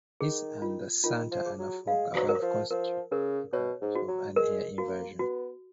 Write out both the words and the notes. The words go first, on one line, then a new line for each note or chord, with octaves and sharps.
This and the "Santa Ana fog" above constitute examples of an air inversion.
D#3 G#4
F4
D#3 F4
F3
G#4
F#3
G#3 F5
F#3
A#4
F3
F3 A#4
C#3 A#4
B2 C#5
G#2
F#4
F#3
G#3 A#4
A#3 F#4
B3 F#4